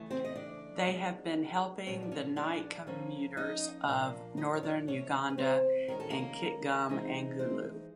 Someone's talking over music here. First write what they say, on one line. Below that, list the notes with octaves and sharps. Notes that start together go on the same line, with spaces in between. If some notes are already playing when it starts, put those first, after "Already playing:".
They have been helping the Night Commuters of Northern Uganda in Kitgum and Gulu.
Already playing: C#3 E3 A3
C4 C5
D#5
D4 D5
B2 G#3 B3 D4
A#2 F3 G#3 B3 C#4 D#4 C#5
D5
C#4 C#5
D4 D5
F3 A#3 C#4
D#4 D#5
A#2 F3 A#3 D4
D#4 D#5
C#5
D4 D5
C3 E3 A3 C#4 C#5
B4
C4 C5
D#3 G#3 C#4 A#4
A4
A#3 A#4
E3 G#3 C4 D#4
C4 C5